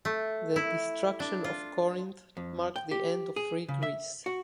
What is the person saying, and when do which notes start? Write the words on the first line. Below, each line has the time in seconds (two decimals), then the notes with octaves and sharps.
The destruction of Corinth marked the end of free Greece.
0.05 A3
0.56 E4
1.20 D4
1.44 F4
2.37 F2
2.76 G5
2.91 G4
3.36 G#4
3.69 C#3
3.83 E5
4.26 F#4